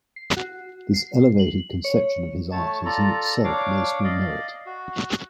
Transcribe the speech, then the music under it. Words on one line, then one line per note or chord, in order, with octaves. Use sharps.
This elevated conception of his art is in itself no small merit.
C7
F#4
C7
F#7
C#5
A3 C#5 A5
F4 A4 D5 A#5
D4 C#5 F5 D6
D5 D#5 F5
F#4